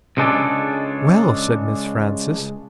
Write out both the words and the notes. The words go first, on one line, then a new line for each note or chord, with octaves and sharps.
"Well!" said Miss Frances.
C#2 C#3 G#3 D4 G#4 A4